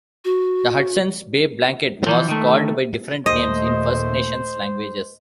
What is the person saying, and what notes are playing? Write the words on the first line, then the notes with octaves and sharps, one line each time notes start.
The Hudson's Bay blanket was called by different names in First Nations languages.
F#4
E3 F3
D#3 A3
D#2 A#2 A3 C5 D#5